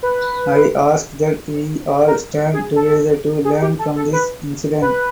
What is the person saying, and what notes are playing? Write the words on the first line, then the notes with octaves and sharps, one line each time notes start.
I ask that we all stand together to learn from this incident.
B4
A#4
G#4
A4
G#4
G4
A4
A4
B4
B4